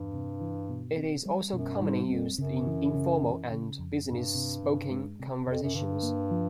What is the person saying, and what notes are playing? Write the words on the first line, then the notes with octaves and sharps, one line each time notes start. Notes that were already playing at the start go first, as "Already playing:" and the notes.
It is also commonly used in informal and business spoken conversations.
Already playing: E2 G2
C3
E3
B2
C4
G3
F#2 B2
G2
G#2 G3
F2 C4
F#2 C#3
E3
C#3
E3
C#3
F2
G2 C3
C3
C3
G#3
C3
F2 C3
F#2
G2 D3
A#3
F3